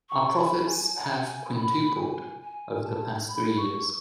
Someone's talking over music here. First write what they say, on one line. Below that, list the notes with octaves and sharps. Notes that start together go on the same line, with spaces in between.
Our profits have quintupled over the past three years.
C#6
B5
A5
G#5
F#5
G#5
B5
G#5
G#5
A5
B5
C#6